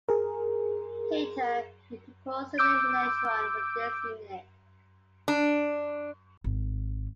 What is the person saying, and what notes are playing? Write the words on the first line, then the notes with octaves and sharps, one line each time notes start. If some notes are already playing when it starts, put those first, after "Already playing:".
Later, he proposed the name "electron" for this unit.
G#4 A#4
D6 E6 G6 D7
D4
G#1